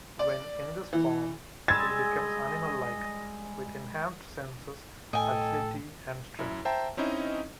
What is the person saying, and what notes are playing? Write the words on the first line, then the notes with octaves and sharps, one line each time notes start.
When in this form, he becomes animal-like, with enhanced senses, agility, and strength.
D5
E3
G3 G#3 G#4 D#5 E6 G#6 A6
A2 A4 D#5 G5 G#5
F#2 E4
C5 E5 G5 A5 A#5
C4 C#4 D#4 E4 D#5